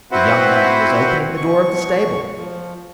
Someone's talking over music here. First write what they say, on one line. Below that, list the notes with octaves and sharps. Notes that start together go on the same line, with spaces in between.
The young man was opening the door of the stable.
C4 E4 F#4 B4 C5 F#5
B2 C#6
F3